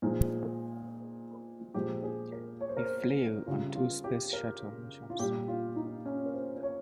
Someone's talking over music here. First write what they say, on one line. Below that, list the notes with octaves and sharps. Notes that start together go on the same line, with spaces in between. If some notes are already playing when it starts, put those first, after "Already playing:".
He flew on two Space Shuttle missions.
A#2 F3 G#3 D#4
A#2 F3 G#3 G4
G#4
A#4
C#5
C5
A#4
C5
C#3 G3 F4
F4
G4
A#4
F4
A#2 G3 G4
F4
D#4
C#4
A#4
C5
C#5